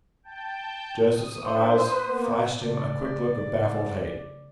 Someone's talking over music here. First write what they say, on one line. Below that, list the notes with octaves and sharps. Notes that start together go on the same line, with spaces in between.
Joseph's eyes flashed him a quick look of baffled hate.
G5 A5 G6
D#6
D4 C5 E5
B4 D#6
A#3 B3
C#3 A3 D5